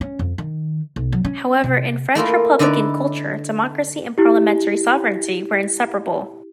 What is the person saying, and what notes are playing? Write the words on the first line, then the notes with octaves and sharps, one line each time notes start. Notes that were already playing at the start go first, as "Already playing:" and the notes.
However, in French Republican culture, democracy and parliamentary sovereignty were inseparable.
C#4
F2
D#3
B1
F#3
C#4
C3
A3 A#3 E4 F4
D3 D#4 E4 B4 D5
E4 G4